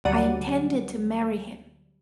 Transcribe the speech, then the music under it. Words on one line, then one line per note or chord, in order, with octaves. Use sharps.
I intended to marry him.
D2 F#3 G3 D5 F#5 D#7